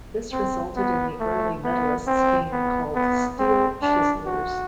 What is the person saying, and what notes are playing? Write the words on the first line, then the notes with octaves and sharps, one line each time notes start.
This resulted in the early medalists being called steel-chiselers.
C4
B3
A3
B3
C4
B3
B3
C4
D4
F#4